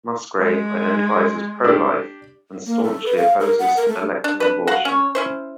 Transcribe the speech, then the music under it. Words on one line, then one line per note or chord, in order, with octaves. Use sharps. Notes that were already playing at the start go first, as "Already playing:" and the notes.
Musgrave identifies as pro-life and staunchly opposes elective abortion.
G#3
D4 G4
A#3
A4
B4
F5
A#4
F#5
A#4
A3
D4
D4 B4
F#4 F5 F#5
C#4 C#5
C#4 E4 C5